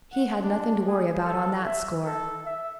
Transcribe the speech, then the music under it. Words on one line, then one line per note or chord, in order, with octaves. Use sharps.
He had nothing to worry about on that score.
F#5
D4
G#4
A4
E5
A4
E5